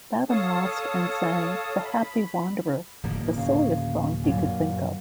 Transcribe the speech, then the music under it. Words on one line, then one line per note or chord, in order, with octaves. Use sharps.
Badham lost and sang "The Happy Wanderer", the silliest song he could think of.
A4 C#5 F5 A5 D#6
B5
D1 F3 A#3
C#3
F#2 A#2